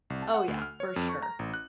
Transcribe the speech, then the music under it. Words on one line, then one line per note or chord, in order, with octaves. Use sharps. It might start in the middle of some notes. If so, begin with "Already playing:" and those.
Oh, yeah, for sure.
C2
A5
F#5
D2
F6
C#5
F2
C#6
A#5
A1
F#6